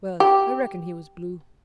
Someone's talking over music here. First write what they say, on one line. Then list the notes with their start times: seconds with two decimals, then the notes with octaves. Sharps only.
Well, I reckon he was blue.
0.20 G4